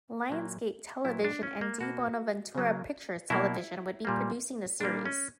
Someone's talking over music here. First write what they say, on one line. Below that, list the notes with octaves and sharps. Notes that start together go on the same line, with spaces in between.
Lionsgate Television and Di Bonaventura Pictures Television would be producing the series.
A#2 F#3 A#3
A#2 F#3 A#3 E4
D4
C#4
A#3
B2 A#3 F#4
C#3 F#3 A#3
B2 F#3 A#3 E4
A#2 G3 A#3
A#2 G3 A#3 D4
C#4